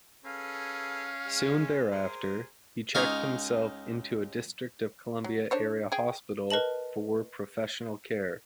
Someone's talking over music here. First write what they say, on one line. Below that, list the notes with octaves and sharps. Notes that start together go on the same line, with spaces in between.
Soon thereafter, he checked himself into a District of Columbia-area hospital for professional care.
C#4 G#4 A4 B4 F5
G#3
G#4 A#4 C5
C#2 D#4 C#5 F5
F#3
D4 C5 C#5
G#4 G5
A#4 B4 D#5 A5 F#7